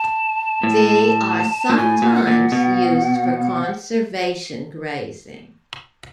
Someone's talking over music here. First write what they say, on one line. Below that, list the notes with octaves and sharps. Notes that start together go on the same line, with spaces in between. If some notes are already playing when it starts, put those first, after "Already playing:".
They are sometimes used for conservation grazing.
Already playing: A5
A2
A#2
A2 G#5
A#2
F#5
A#2
B2